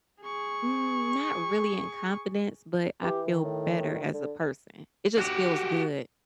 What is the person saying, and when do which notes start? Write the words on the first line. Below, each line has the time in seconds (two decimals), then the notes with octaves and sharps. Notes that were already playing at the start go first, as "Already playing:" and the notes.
Mm, not really in confidence, but I feel better as a person, it just feels good,
0.23 G#4 C#6
3.02 E3 G4
3.27 D#3
3.44 A2
4.13 D3
5.18 F#4 G4